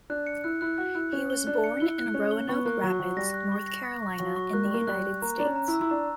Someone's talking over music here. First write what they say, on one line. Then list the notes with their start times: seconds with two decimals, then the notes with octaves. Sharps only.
He was born in Roanoke Rapids, North Carolina in the United States.
0.10 D4 F#6
0.27 C#7
0.44 E4 F#6
0.61 E4 F#6
0.78 F#4 F#6
0.95 E4 F#6
1.12 C#4 F#6
1.30 G7
1.47 D4 F#6
1.64 C#7
1.80 E4 G7
1.98 F#6
2.14 C#4 F#6
2.31 G7
2.49 B3 C#6
2.65 A#3 F#6
2.83 F#3 C#6
2.99 F#3 C#6
3.17 G3 A#6
3.34 F#6
3.52 C#6
3.68 A#6
3.85 A#6
4.02 C#6
4.19 F#3 C#6
4.36 C#6
4.53 A#3 F#6
4.64 G3
4.71 A#3 C#6
4.87 G3 F#6
5.05 F#6
5.22 A#3 A#5
5.39 D4 A#5
5.45 C#4
5.56 A#5
5.68 E4
5.74 E6
5.81 E4
5.90 D4 A#5